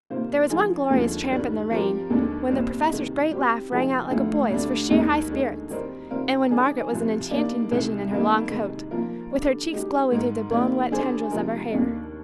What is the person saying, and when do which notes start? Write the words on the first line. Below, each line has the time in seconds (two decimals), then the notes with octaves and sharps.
There was one glorious tramp in the rain, when the professor's great laugh rang out like a boy's for sheer high spirits, and when Margaret was an enchanting vision in her long coat, with her cheeks glowing through the blown wet tendrils of her hair.
0.10 C3 D#3 A#3 F4 C5
0.50 D3 F3 G#3 D#4 G#4
0.90 D#2 D3 F3 G#3
1.30 G2 D#3 G3
1.71 F3 C4 G4 A#4
2.10 D#2 D3 G#3 D4
2.50 C2 A#2 G3 C4
2.90 C3 D#3 G#3 D#4
3.30 G3 C4 G4
3.70 C3 F3 G#3 D#4 G#4
4.10 D2 D3 F3 G#3
4.51 D2 D3 G3 D4
4.90 D#2 D#3 G#3 D#4
5.31 D3 G#3 D#4
5.70 D#3 G3 C4 D#4 A#4
6.11 C3 G3 C4 F4 A#4
6.50 D#3 G#3 D4 G#4
6.91 C2 C3 F3
7.31 D#3 G3 A#3 D4
7.71 C2 C3 D#3 G#3
8.11 F2 D#3 A#3 D#4
8.51 C3 D#3 G#3
8.91 F3 A#3 F4 A#4
9.31 D3 G3 D4
9.71 D3 G#3 D#4 G4
10.11 G#2 D#3 G#3 D#4 A#4
10.51 D#3 G3 A#3
10.91 D3 G3 D4 G#4 C5
11.31 C3 F3 G#3 D#4 A#4
11.71 D#2 D#3 A#3 D4